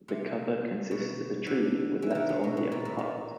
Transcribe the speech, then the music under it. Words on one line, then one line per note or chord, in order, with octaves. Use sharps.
The cover consists of a tree with letter on the upper part.
C3
B2
D3
E3
D3 D#3
C3
B2
B2
A#2
A2
A#2